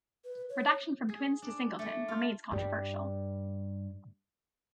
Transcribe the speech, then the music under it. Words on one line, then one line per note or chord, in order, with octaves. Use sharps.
Reduction from twins to singleton remains controversial.
B4
C#5
G#4
D4
A3
F4
G2 G3